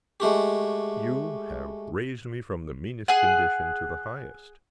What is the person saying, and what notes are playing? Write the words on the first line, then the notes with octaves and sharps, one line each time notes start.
You have raised me from the meanest condition to the highest.
G#3 A3 F#4 G4
G#4 F#5